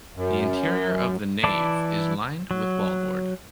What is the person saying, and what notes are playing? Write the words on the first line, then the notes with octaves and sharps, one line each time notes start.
The interior of the nave is lined with wallboard.
F#2
E3 E4 D5 A5 D6
F#3